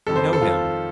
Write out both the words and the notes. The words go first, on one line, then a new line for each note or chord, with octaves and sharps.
I know him.
F2 D#3 G3 A4
C5
A4
F4